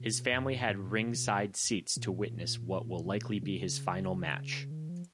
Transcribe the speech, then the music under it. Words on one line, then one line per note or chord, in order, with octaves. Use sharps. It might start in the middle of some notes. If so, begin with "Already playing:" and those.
His family had ringside seats to witness what will likely be his final match.
Already playing: B2
F#2
G#2
G#2
B2
B2
A#2
A#2
B2
C#3
B2
C#3
D#3
F3